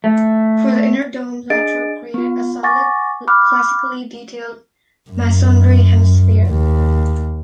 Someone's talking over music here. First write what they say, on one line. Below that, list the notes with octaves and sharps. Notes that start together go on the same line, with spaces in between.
For the inner dome Latrobe created a solid, classically detailed masonry hemisphere.
A3
D4 G#4 D#5 A6 D7
B3 F4
F#5 G#5 C#6 D6 A6 A#6
F#5 B5 D6 F6 F#6
F#2
D#2